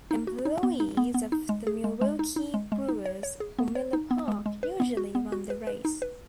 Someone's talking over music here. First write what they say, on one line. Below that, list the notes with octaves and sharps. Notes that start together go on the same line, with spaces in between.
Employees of the Milwaukee Brewers or Miller Park usually run the race.
D#4
F#4
D#4
B3
D#4
B3
B3
D#4
G#3
G#4
G#3
G#3
D#4
D#4
G#3
G#3
D#4
C#5
C#5
G#4
B3
C#5
D#4
B3
G#3
G#3
B4
B3
F#4
B3
F#4
B4
B4
D#4
B4